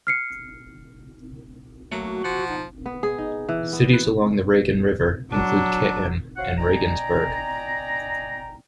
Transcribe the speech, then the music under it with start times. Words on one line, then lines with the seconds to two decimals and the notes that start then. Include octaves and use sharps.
Cities along the Regen river include Cham and Regensburg.
0.07 F6 C7 C#7
1.92 F#3 A3 A#3 F#4
2.24 F3 F#5
2.48 D#4
2.86 B3
3.03 G#4
3.18 D#4
3.49 E3
3.73 B3
3.93 B4
5.32 F#3 D4
6.37 F#4 C5 C#5 F5 F#5
6.58 D5 D#5 G5 G#5 A#5